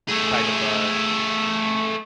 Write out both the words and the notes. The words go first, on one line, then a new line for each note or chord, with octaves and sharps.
kind of, uh,
A3 G#4